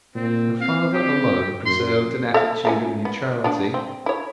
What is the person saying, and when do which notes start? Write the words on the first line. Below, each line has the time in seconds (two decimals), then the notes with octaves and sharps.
Her father alone preserved an attitude of neutrality.
0.15 A#2 C4
0.60 C4 F5
0.93 G4
1.65 F#2 C6
2.34 A4 E5 F5
2.65 A3 A#3 C#4
3.05 B3
3.44 B3 D4 F#4
3.74 C4
4.06 E4 C#5